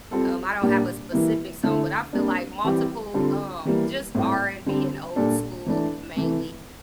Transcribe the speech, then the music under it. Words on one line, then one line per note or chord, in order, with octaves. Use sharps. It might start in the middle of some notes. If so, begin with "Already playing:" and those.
um, I don't have a specific song, but I feel like multiple, um, just R&B and old school, mainly.
G3 C4 F4 A4
A#2 G3 A#3 D4 G4
E3 G3 A#3 E4
D3 A3 E4 A4
C3 G3 A#3 D4
E3 G3 C4 G4
D3 G3 C4 F4 A4
E3 G3 A#3
A2 G3 C4 G4
D3 G3 C4
A#2 G3 D4 A4
E3 A3 D4
C3 E3 A3